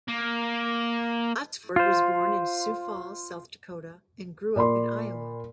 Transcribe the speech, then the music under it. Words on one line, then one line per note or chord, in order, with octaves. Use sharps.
Botsford was born in Sioux Falls, South Dakota, and grew up in Iowa.
A#3
F4 C5
A#2 D5 B5 C6